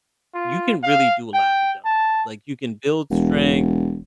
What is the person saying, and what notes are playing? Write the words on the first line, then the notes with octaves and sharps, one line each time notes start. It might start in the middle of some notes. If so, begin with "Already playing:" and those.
you can really do a lot with dumbbells, like, you can build strength,
F4
F5
G5
A5
E1